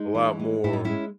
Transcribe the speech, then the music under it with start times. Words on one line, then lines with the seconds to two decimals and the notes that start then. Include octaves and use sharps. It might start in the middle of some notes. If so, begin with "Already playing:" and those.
a lot more
Already playing: G#3 D#4
0.14 E3
0.40 G#3
0.64 A2 E4
0.73 D#4
0.84 G#3 C#4 E4